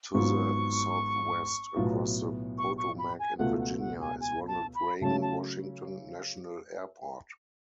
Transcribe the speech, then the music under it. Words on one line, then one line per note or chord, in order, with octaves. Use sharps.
To the southwest, across the Potomac in Virginia, is Ronald Reagan Washington National Airport.
G#1 G#2 F#3 B3 F4 C#6
B1 A2 F#3 B3 F4
C#6
C#6
B5
G#5
C#2 B2 A3 F4 A4 F#5
F#5
F#5
G#5
G#5
A5
B5
C#3 F#3 A3 C#4 A5
A5